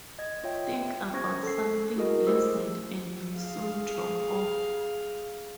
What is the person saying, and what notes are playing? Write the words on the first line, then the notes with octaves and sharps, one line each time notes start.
Think about something pleasant, and you'll soon drop off.
D#5 G#6
F4 C#5 E5 G5
C#4 C5 C#6 G#6 A#6
A4 C7
E4 F#4 G#4 A#4 D#5
A3 G4 C5 E6
G#4 F5